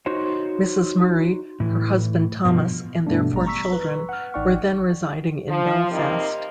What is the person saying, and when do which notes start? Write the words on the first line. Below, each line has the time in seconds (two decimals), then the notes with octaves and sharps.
Mrs Murray, her husband Thomas, and their four children were then residing in Belfast.
0.06 D#4 F#4 C5 C#5
1.60 A2 E3
2.45 G2 B2 F3
3.07 G2 B2 E3 A3 B3 D4
3.33 A1 G3 A#5
3.46 A#5 C#6 E6 B6
3.73 B4
4.09 F#5 F6
4.34 A1 D#4 D5 F#5 G5 C#6
5.49 F3
5.90 C3 G3 A#3 C4 D#4